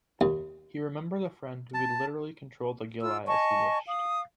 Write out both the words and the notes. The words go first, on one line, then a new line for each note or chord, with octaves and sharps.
He remembers a friend who could literally control the gilli as he wished.
D#2
A5
F4 E6
D#5 G#5 A5 C#6
F5 D#6